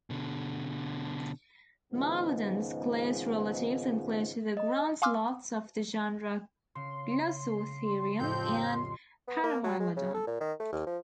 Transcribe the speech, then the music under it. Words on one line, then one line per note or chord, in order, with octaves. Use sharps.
"Mylodon"'s close relatives include the ground sloths of the genera "Glossotherium" and "Paramylodon".
B2 D3
C#2 G#2 D#3 F3 B3
D#5
F5 G#5 C6 D6 E6 F6
C#3 C6
A1 F2 A2 F3 C4 G6
B3
A#3
F#3
G#3
C#3
A4
A#2
D#3
A3
D#2
F3